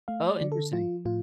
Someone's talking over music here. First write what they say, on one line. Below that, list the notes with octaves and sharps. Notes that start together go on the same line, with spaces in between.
Oh, interesting.
A3 F5
D5
D3
A4
F3 F4
A2 F4